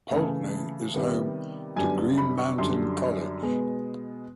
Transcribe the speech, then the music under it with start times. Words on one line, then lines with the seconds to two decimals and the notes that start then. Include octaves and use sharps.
Poultney is home to Green Mountain College.
0.11 C#3 E3 A3
0.94 C3 D#3 G3 B3
1.76 F#2 D3 G3 B3 G#5
2.18 B5
2.38 C#6
2.58 F#2 D3 G3 C6
3.41 B2 G#3 B3